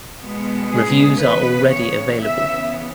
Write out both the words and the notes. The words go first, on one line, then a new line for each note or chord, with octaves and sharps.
Reviews are already available.
B2 G#3 B3
G#4
C#3 E3 B3 B4
C#5
C#3 E3 B3 E5